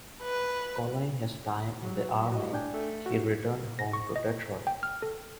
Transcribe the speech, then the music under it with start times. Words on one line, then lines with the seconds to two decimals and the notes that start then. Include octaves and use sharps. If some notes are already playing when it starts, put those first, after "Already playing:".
Following his time in the Army, he returned home to Detroit.
0.23 B4
1.82 F#3
2.32 A2 F#4 D#5
2.53 D4 G5 G#5
2.73 A3
3.06 F#4
3.79 A#6
3.93 C#6
4.16 D#5
4.67 G5
4.83 F6
5.02 A4